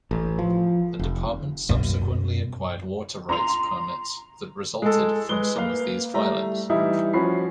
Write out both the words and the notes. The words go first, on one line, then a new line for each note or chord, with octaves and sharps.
The department subsequently acquired water rights permits that resulted from some of these filings.
A1
F3
F1
F#2 B2
A#5 C6 F7
G#3 A4
G#3 B4 G7
A#3 B4 F5
G3 A3 A#5
E3 G3 D#4 E4
F3 C#4 F#4 B5 C7